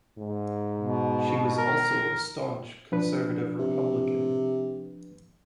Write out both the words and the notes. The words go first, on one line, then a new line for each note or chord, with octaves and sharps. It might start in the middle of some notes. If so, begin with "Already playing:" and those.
She was also a staunch conservative Republican.
G#2
B2
A#4
F3 D4 B4
C3